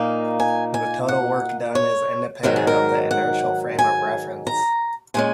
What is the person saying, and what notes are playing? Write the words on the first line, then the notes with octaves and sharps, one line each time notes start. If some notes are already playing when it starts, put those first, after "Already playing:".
The total work done is independent of the inertial frame of reference.
Already playing: A#2 A#3 D#4
G#5
G#5
F#5
C#5
G#2 D#3 F#3 A#4
G#4
A#4
F#5
G#5
A#5
A#2 G#3 C#4 G#5